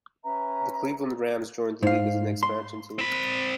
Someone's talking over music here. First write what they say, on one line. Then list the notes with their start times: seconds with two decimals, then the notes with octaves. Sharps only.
The Cleveland Rams joined the league as an expansion team.
0.24 C#4 B4 E5 A#5
1.83 G#2 D#4 C5 F5
2.43 C6
2.99 C4 B5